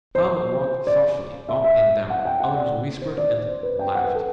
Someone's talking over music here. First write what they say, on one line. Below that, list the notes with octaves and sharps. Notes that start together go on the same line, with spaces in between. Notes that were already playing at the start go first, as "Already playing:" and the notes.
Some walked thoughtfully up and down, others whispered and laughed.
C5
D5
E5
E5
F#5
G5
F#5
D5
C5
D5
D5
C5
B4
G5
F#5
B4
A4